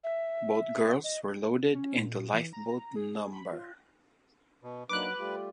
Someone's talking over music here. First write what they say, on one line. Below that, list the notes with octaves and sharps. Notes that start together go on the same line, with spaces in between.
Both girls were loaded into lifeboat no.
E5
D#5
C#4
A#2
E3
A#5
G#4
B5
F4
B2
F#3 A#3 D4 D#4 B4 D6 F#6
G3 A3 F4 G4